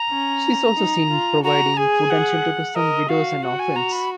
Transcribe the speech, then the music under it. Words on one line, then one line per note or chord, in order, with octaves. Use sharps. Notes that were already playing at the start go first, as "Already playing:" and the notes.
She is also seen providing food and shelter to some widows and orphans.
Already playing: A#5
C#4
D#4
F4
F#4 A#5
G#4 G#5
F#5
A#4 D#5
F#4 F5
F#4 F#5
G#5
A#5
B5